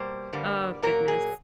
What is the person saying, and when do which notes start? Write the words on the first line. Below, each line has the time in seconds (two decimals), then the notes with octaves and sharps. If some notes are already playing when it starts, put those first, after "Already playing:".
Oh, goodness.
Already playing: B2 G3 A#3 C5
0.33 G2 D3 G3 A#3
0.82 A#2 F#3 A#3 A#4
1.08 G#4